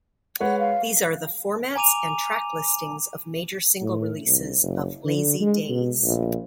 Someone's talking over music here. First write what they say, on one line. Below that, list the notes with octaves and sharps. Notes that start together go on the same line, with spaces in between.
These are the formats and track listings of major single releases of "Lazy Days".
G#3 B4 C#5 F#5
F5
G#5 A#5 D6 D#7 F7
A2
C2
F#1
D3
G#3
B2
A#1